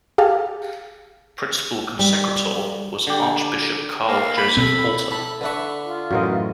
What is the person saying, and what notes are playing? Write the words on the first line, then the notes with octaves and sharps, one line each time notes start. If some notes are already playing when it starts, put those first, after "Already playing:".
Principal Consecrator was Archbishop Karl Joseph Alter.
G4 G#4 F5 A5
G3
D3 G4
A#3
B5
B2 C4 A4
E4 A4 B5
D3 D4 B4 E5 C#6
F4
F#2 A2 E3 F#4 A#4 D#5